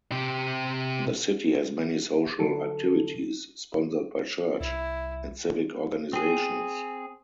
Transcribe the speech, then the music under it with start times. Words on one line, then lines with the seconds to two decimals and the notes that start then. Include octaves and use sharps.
The city has many social activities sponsored by church and civic organizations.
0.12 C3 G4
2.40 D3 F#3 A4
4.61 C2 E4
6.13 C4 G#4